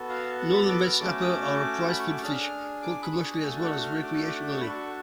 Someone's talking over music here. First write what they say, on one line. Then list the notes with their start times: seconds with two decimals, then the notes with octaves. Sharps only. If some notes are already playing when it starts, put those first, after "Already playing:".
Northern red snapper are a prized food fish, caught commercially, as well as recreationally.
Already playing: B3 F#4 A4
0.09 F5
0.40 F#5
0.54 B5
0.69 D6
0.85 F6
0.99 A3 C#4 F#4 A4 D6
1.78 A5
1.88 B5
1.99 C#6
2.11 D6
2.21 D4 G#4 F6
2.82 D6
3.02 B5
3.13 C#6
3.42 A3 D4 F#4 A4 G#5
3.63 F#5
3.84 F6
4.03 D6
4.16 F6
4.23 D6
4.43 D6
4.52 C#6
4.61 D4 F#4 A4 B5
4.70 C#6